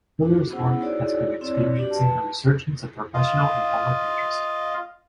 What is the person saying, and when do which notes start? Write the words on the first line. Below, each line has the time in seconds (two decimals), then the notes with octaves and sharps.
Fuller's work has been experiencing a resurgence of professional and public interest.
0.22 D4 F#4
0.51 B3 C#4 E4 G#4 C5 F#5
0.80 D#4 E4 F#4 G#4 C#5 D5
1.41 C4 E4 C#5 D5
1.76 D4 F#4 G4 D5
1.91 B4 A5
3.14 F4 D#5 F5